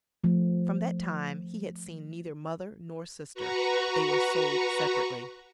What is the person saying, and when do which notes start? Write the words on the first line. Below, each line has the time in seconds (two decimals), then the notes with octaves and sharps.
From that time he had seen neither mother nor sister--they were sold separately.
0.24 F3 A3
3.35 F#4 B4 A#5 C#6